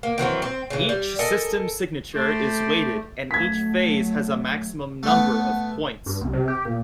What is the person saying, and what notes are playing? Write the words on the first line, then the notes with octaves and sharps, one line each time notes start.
Each system signature is weighted and each phase has a maximum number of points.
A#3
D#3 E3 F#3 C4
C4
C#3 E3
G3
A4 A#4 D#5 G#5
A3 G4 C5 D5
F#3 A3 G#6 B6
A3 B3
G2
C2
C3
G4
A#2